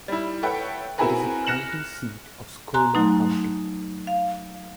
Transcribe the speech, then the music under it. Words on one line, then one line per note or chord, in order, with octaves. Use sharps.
It is the county seat of Schuyler County.
G3 E4
A4 B4 C#5 E5 F#5 G5
C4 E4 F#4 G#4 A#4 B4
F6 F#6 A#6 C#7 E7 F#7
G#5 A#5 C6 F#6
F#3 A3 D#4
F5